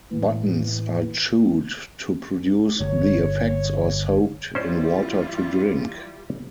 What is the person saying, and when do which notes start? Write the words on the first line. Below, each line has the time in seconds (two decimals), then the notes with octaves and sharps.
Buttons are chewed to produce the effects or soaked in water to drink.
0.12 A2 E3
2.80 G1 C#5
4.55 E3 G3 C#4 E4 F4 C5 D5